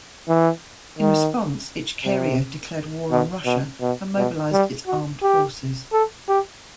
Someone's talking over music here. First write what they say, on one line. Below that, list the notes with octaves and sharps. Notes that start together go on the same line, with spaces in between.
In response Ichkeria declared war on Russia and mobilised its armed forces.
E3
D#3
C3
B2
B2
B2
B2
G3
F#4
G4
A4
G4